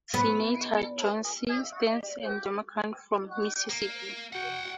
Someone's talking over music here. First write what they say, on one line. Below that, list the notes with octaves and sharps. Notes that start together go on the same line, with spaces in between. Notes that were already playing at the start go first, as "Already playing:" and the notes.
Senator, John C. Stennis, a Democrat from Mississippi.
B3
A#3
F#4 F#5 G5